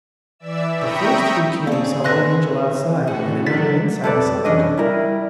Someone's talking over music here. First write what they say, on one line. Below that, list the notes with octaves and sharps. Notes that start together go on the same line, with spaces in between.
The first who came saw one angel outside and another inside the sepulchre.
E3 D5 E5 E6
E5 G5 A#5 B5 C#6 D#6
A#3 C4 D4 G#4 C#5
B4 E5 F#5 C6 F#6 A#6
A2 E3 F#4
D3 F#3 D4 A6 B6
F2 A4 B4 D5
E3 C#4 D4 D#5
G3 E4 A#4